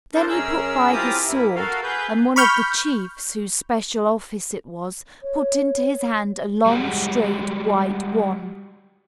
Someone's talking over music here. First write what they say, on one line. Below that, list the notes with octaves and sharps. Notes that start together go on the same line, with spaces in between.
Then he put by his sword; and one of the chiefs, whose special office it was, put into his hand a long, straight, white wand.
D4 A4 A#4 C5
F#2 C#4 G#4 A#4 E6
C4 E4 F4 G4 A#5 D#6
G2 A#3 E4
F#4 A4 A#4 F5
G#4 B4 G6
B5 C#6 F6 G6
C#5
G3 G#3 F#4